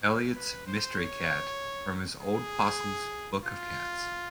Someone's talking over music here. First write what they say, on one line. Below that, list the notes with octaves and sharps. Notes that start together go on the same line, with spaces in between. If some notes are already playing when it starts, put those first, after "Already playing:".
Eliot's "mystery cat", from his "Old Possum's Book of Cats".
B4
C5
C#5
G#4
F4